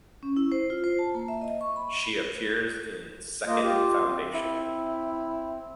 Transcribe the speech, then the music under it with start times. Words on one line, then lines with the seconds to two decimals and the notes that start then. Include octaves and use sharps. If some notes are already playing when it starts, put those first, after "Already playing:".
She appears in "Second Foundation".
0.23 C#4
0.37 E4
0.52 C5
0.70 F4
0.84 C5
0.99 A5
1.15 A#3
1.28 E5
1.42 D#5
1.61 C#6
1.76 B5
3.47 A#3 F4 D#5
3.62 F4 G4
4.04 C4
4.34 E4